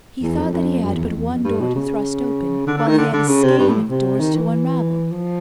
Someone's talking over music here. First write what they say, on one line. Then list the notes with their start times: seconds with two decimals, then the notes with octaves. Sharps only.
He thought that he had but one door to thrust open, while he had a skein of doors to unravel.
0.22 E2
0.38 F2
0.53 F2
0.84 F#2
0.94 E2
1.04 F2
1.14 E2
1.29 F2
1.44 G2
1.60 B2
1.75 C#3
2.67 D3
2.77 D3
2.87 D#3
2.98 D3
3.13 D3
3.28 C#3
3.43 C3
3.58 G2
3.69 A2
3.90 C3
4.20 D#3
4.35 E3
5.12 F3